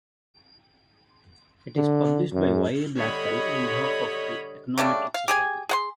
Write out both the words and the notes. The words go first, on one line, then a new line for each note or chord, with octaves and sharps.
It is published by Wiley-Blackwell on behalf of the Econometric Society.
D3
F#2
D3 G3 C#5 D#5 B5
C#3 G3 A3 D4
F5
G4 G#4 G#5
G#4 F#5 C6